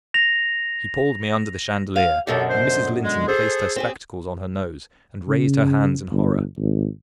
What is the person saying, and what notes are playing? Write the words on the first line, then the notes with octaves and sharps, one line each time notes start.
He pulled me under the chandelier, and Mrs. Linton placed her spectacles on her nose and raised her hands in horror.
A#6 F7
F5
F#2 B2 D3 G4 A4
C5
G#3
G#4 A4 C5
C4 G4 G#4
C#3
G1
G#1